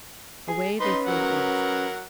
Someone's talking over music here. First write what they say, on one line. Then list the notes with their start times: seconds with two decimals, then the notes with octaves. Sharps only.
Away they flew at once.
0.48 G#4
0.80 C#4 D#4 B4 C6
1.07 F#3 A#4 F#5